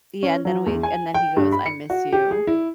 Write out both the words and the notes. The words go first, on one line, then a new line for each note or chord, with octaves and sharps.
yeah, and then we and then he goes, "I miss you,
C#4
F#3
E2
G#5
G5
G2
B5
C#7
F#4
G4
G#4
E4